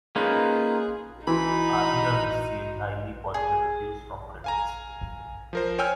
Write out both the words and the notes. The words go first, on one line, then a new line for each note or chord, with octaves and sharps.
"Aaliyah" received highly positive reviews from critics.
A#3 C#4 D#4 F4 G#4 B4
E3 D#4 F#4 B5 C6
G#4
F5 G#5 A#5
F3 A#4 C5
C#5 G5 G#5 E6 F6 G6